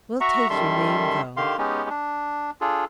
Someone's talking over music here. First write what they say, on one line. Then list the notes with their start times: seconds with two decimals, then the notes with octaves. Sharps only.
"We'll take your name, though."
0.21 F#4 E5 F#5 A#5 C#6
0.49 F#2 D#3 G3 A4 E5 C6
1.37 D3 D#3 G4 F5 C6
1.58 G#3 B3 C#4 D#4 G4
1.90 D4
2.61 D4 F4 G#4 A4